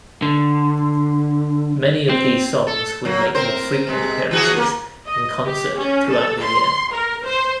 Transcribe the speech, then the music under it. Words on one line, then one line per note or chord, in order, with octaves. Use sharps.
Many of these songs would make more frequent appearances in concert throughout the year.
D3
C4
A4
F#3 A#3
C4 A#4 C5
C3 G#3
E3 F#4 G#4
A#3
D#5
G4
C#4
A4
C6
A#4
C5